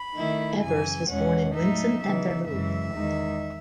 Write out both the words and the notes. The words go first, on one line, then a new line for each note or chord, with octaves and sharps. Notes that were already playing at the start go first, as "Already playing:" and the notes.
Evers was born in Winsen an der Luhe.
Already playing: B5
D#3 A3 E4
F#2 C#3 E3 G#5
E2 B2 G#3 C#4 F#5
A2 F#3 A3 D#4 E5
C#3 E3 B3 D#4 E5
F#2 C#3 E3 G#3 E5
E2 D#3 G#3 D#4